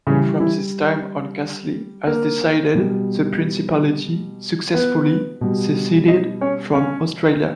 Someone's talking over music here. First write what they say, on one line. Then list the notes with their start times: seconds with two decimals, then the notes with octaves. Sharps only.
From this time on Casley has decided the Principality successfully seceded from Australia.
0.07 C#3 E3 G3 C#4
0.40 E3 E4
2.07 A#3 A#4
2.74 B2 G3
4.74 B3 B4
5.41 B2 G3
6.08 D#4 D#5
6.41 C#4 C#5
6.74 C#4 C#5